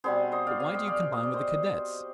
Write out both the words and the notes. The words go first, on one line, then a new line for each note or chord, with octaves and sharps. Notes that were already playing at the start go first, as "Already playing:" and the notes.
"But why do you combine with the Cadets?"
B2 G3 C4 G#4 C5
C5 D#5
D5 F5
F5 G#5
D#5 G5
D5 F5
F5
D#5
D5
C5 D#5